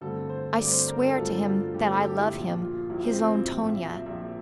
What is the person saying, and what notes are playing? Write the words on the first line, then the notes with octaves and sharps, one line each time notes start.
I swear to him that I love him, his own Tonia.
G2 D3 A3 C4 A4
C5
G2 D3 A3 C4 D5
C5
A#4
A4
G2 D3 A3 C4 F4
F4
G2 D3 A3 C4 G4
A4
G4
E4
A#1 A#2 F3 F4
F4
A#1 A#2 F3 E4
C4
C4
E4
A#1 A#2 F3
E5
E5
A#1 A#2 F3 E5